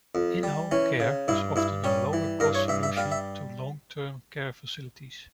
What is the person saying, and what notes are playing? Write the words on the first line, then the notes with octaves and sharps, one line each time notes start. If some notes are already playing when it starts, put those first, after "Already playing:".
In-Home Care is often a lower cost solution to long-term care facilities.
F2
G3
E3 C#4
C#3
G2 E4
G2 E4
G3 C#4
E3
G2 A#4
C#5
G2 E5
E5
G3 F5
E5